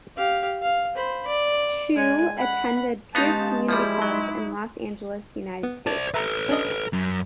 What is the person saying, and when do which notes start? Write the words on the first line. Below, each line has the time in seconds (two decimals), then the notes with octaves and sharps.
Chou attended Pierce Community College in Los Angeles, United States.
0.16 G4 F5
0.62 F5
0.95 C5 B5
1.27 D5
1.95 G#3 G#5
2.37 F#5 B5
3.15 G#3 B3 C#4 D#4 G4 F5 A5
3.69 F3 G3 E4 G4 G#4 D5
4.02 F#3 D#4
5.63 B3
5.87 C5 D5 A5
6.14 A4 B4 E5 A#5
6.49 C#4 D4 D#5
6.93 F#2